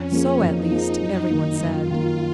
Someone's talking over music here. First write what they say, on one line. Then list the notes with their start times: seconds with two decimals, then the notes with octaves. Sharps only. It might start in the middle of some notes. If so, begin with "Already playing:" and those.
So, at least, every one said.
Already playing: F2 C#4
0.11 F3 A#3 F4 G#4
0.41 F2 D#4
0.71 F3 A#3 F4 G#4
1.01 F#2
1.30 D#3 A#3
1.60 F#2 F4
1.90 D#3 A#3